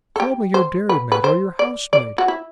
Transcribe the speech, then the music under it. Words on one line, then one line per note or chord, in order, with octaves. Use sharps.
Call me your dairymaid or your housemaid.
A4
G4
C5
B4
B4
C5
D5
D5
F#4
E4